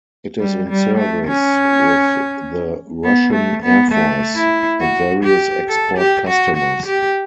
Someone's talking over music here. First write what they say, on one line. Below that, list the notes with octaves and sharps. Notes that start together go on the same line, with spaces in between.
It is in service with the Russian Air Force and various export customers.
G3
G3
A3
C#4
B3
A3
B3
A3
E4
F#4
G4
A4
G4
F#4
F#4
G4